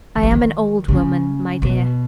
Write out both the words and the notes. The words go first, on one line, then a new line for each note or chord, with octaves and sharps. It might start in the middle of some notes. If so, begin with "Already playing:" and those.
I am an old woman, my dear.
D#3
E3
D#3
C#3
B2